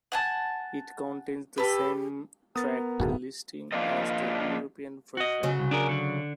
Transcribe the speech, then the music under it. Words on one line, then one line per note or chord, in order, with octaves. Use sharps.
It contains the same track listing as the European version.
F#5 G#5 A5
G4 A4 B4
B3 A#4 D#6 A6
D1 G2 D#3 F#4 G#4 A4
F3 A#3 D4 F4 A#4 D#5
F#4 D#5
C#3 F#3
C2
D4 G#4 A#4
D3 D4